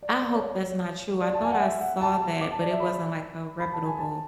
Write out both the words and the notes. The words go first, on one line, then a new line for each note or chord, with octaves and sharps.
I hope that's not true. I thought I saw that, but it wasn't, like, a reputable
D5
D5
C#5
C#5
D5
A5
G#5
F#5
E5
F#5
A5
D6
A5
D5
E5
B5
B5
A5
G#5
A5